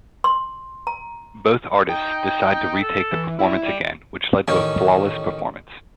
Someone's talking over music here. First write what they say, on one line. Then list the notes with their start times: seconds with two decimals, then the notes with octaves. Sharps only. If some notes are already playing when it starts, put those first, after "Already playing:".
Both artists decided to retake the performance again, which led to a flawless performance.
0.24 C6
0.87 A#5
1.89 D#4 G5
2.81 A4
3.12 E3
3.39 G3 E4
3.64 G3
4.48 A1 D#3 C#4